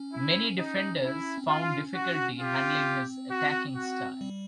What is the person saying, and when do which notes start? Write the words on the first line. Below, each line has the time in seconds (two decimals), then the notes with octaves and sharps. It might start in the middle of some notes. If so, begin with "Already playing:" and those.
Many defenders found difficulty handling his attacking style.
Already playing: C#4
0.13 E4
0.58 D#4
1.04 E4
1.38 C4
1.48 C#4 F4
1.95 F#4
2.39 C4 F4 G4
3.30 F#4
3.76 F#4
4.21 G3